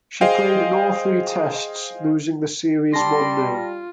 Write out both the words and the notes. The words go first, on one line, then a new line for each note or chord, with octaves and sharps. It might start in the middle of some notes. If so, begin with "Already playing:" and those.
She played in all three Tests, losing the series one-nil.
G#4 C5 D#5 F5 G5
G3 D5 A5 C6 A#6
F4